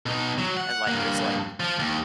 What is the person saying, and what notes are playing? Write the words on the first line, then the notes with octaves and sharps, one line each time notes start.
and, like, there's like
B2 D#4
F#3
F#5
G2 A#3
F3
D#2